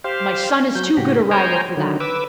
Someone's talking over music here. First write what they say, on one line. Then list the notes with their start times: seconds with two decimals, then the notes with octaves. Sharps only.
My son is too good a rider for that.
0.04 G4 C5 F5
0.75 F#3 G6
0.97 A2 C#3 F#4 G4
1.31 C5 C#5 G5 G#5 A#5
1.77 D3 D#3 F#3
2.00 B4 D6 E6